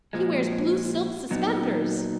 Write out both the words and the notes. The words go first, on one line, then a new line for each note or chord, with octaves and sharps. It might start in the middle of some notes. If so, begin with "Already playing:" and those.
"He wears blue silk suspenders."
A#2 F3 G#3
A#2 F#3 B3 D#4